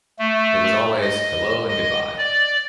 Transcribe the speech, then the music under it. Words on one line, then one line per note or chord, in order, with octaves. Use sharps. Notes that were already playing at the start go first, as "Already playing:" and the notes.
It was always 'hello and goodbye'.
A3
D#5
D#5
D5